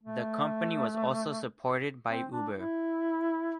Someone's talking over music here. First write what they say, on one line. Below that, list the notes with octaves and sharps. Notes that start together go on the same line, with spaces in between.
The company was also supported by Uber.
A3
C4
D4
E4